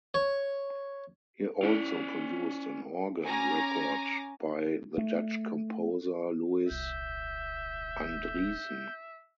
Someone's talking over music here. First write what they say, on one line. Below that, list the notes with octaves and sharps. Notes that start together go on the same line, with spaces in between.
He also produced an organ record by the Dutch composer Louis Andriessen.
C#5
C#4 E4 D5
C#4 G#5 A#5 D6 A#6
A3
D#1 C2 E5 G6